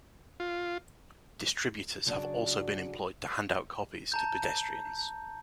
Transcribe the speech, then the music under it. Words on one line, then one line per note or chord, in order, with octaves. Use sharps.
Distributors have also been employed to hand out copies to pedestrians.
F4
C#3 F#3 D4 F#4 G#4 D5
A5 A#5 G6